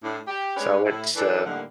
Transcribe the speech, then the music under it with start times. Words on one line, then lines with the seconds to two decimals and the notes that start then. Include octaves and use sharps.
So it's uh,
0.03 A2 D4
0.27 G4
0.57 G#3 C#4 D4 B4 C#5
0.84 A2 E4
1.15 E3 D4 A4
1.45 A2 D3 D#3 G3 A#3 F#5